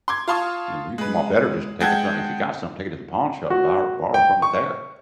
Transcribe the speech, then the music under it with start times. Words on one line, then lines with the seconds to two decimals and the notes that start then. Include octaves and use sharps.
You know, you come out better just taking something, if you got something, take it to the pawn shop, and bor borrow from it there,
0.08 C6 D6 G#6
0.28 F4 F5 A5 C6 C#6 D#6
0.98 G#3 B4
1.80 G#3 F#5 G5 A5 G6 G#6
3.50 F#4
4.14 G5
4.42 C#6